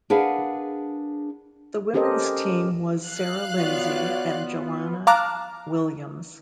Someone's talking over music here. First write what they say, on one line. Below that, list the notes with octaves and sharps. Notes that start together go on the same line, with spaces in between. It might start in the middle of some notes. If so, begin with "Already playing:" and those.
The women's team was Sarah Lindsay and Joanna Williams.
D4 G#4 A#4 B4 F5 F#5
C#4 G4 A4 A#4 C5 D#5
F5 F#6
B3 F4 F#4 C#5 D5
F5 A5 A#5 D6 F6 F#6